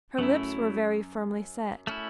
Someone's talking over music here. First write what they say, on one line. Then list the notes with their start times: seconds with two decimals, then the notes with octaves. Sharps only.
Her lips were very firmly set.
0.18 F#2 F#3 A3 E4
1.87 A3 C#4 E4